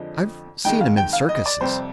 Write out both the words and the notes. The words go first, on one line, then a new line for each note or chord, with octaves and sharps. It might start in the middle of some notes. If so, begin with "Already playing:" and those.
"I've seen 'em--in circuses."
Already playing: F2 D3 F3 G#3 D#5
F2 D#3 G#3 G5
F5
G5
F5
D#5
D5
F2 C3 G3 C5